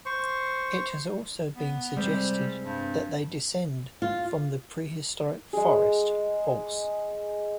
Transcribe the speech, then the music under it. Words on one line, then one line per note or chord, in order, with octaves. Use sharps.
It has also been suggested that they descend from the prehistoric Forest horse.
C5 C#6
B3
C3 G3 G#3 C4
G2
F4
G#3 G#4